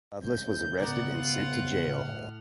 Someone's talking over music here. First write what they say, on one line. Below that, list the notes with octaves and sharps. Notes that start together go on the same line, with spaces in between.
Loveless was arrested and sent to jail.
C3 G#3 C#4 G6
G#2 C#3 B3 C#4 A#4 D5 F#5
F4
A2 F6